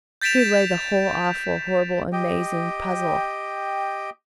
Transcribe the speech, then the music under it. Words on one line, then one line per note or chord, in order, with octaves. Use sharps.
Here lay the whole awful, horrible, amazing puzzle.
G6 A6 B6 D7 E7 F7
G4 D#5 G5